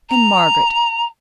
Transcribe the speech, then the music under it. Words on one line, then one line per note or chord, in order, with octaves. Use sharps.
And Margaret?
A#5